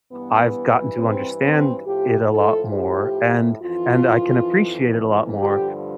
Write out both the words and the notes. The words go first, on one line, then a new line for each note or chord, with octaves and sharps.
I've gotten to understand it a lot more, and and I can appreciate it a lot more.
G2 E3 B3
C4
C4
A2 F3 G4
A4
G4
F2 E3 F4
G2 D3 F3 G4